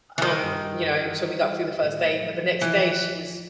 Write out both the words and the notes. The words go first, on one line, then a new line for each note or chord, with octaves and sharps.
um, you know so, we got through the first day, but the next day, she was
E3
D#3 G3
G2
G3
G2
E3
E3
G3
G3
A2
A2
F3
F3
E3 F3